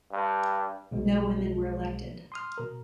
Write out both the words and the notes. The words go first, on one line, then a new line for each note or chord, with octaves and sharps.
No women were elected.
G2
B1 B2 G#3
C6 D#6 F6
B2 A#4